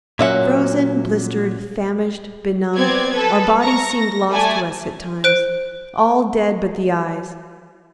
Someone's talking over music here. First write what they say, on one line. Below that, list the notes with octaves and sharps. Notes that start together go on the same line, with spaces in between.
Frozen, blistered, famished, benumbed, our bodies seemed lost to us at times--all dead but the eyes.
A#2 F#3 A#3 C#4 E5 F#5
B3 C4 D5 G#6
A4 B4
A#5 C#6 A#6
A#6
A3 A4 D5 G#5
C5 F#6 D7